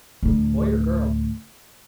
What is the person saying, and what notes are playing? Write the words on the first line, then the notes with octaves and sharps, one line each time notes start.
"Boy or girl?"
D2 A2